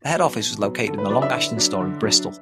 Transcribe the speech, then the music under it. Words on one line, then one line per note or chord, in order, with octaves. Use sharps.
The head office was located at the Long Ashton Store in Bristol.
F#3 B3
B2
F#3 B3
D3 A4
B4
F#3 D4 D5
E5
D3
F#3 D4
D3
F#3 D4